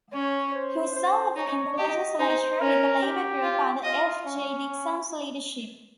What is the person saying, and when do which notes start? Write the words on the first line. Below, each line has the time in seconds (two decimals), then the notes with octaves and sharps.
He served in the legislature with the labour group under F. J. Dixon's leadership.
0.13 C#4 C#5
0.54 C5
0.96 C5
1.36 D#4 C#5
1.78 G4 D#5
2.19 D#4 C5
2.60 C#4 A#4
3.02 G4
3.43 F4
3.84 F4 D#5
4.26 C#4